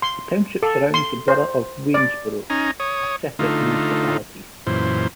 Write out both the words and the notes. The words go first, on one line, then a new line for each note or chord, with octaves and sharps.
The township surrounds the borough of Waynesboro, a separate municipality.
C6
A4
C6
C5
D5
C#4 D#4 G#5 A#5
C#5 D#6
D3 A3 D#4 F4
F#2 A#2 E3 C5